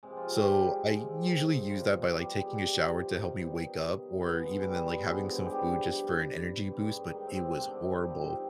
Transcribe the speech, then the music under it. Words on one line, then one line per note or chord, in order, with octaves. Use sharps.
So I usually use that by, like, taking a shower to help me wake up or even then, like, having some food just for an energy boost, but it was horrible.
C3 F3 G#3
F3 F4
G3 G4
G3 G4
G#3
G#3
C3 C4
D#3 D#4
F3 F4
B2 F3 G3 F4
G3 G4
G#3 G#4
G3 G4
F3 F4
D#3 D#4
B2 G3
B2 B3
G#3
G#3
G3
G3
G#3
G2 B2 F3 B3
G#3 G#4
G3 G4
G#2 G3
D#3 D#4
C3 C4
C3 C4
C3 C4
D3 D4
D#3 D#4
G3 G4
F3 F4
D#3 D#4